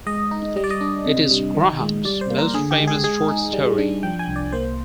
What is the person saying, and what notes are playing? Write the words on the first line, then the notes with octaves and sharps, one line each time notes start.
It is Grahame's most famous short story.
G#3 D#5
D#4
G3 D#5
D5
D#5
D4
C3
G3
D#3
G#3
G3 D5
C5
A#3
A#4
D3 G#4
G4
G#3
G#4
G#3 G#4
D#4
G3
D4
F3 G5
G#5
C2
D5
A#3 C5